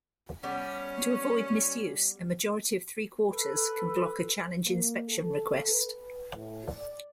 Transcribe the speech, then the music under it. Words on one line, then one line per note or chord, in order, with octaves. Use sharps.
To avoid misuse, a majority of three quarters can block a challenge inspection request.
G3 B3 C#4
A4 B4
A#3
A4
B4
A2
D5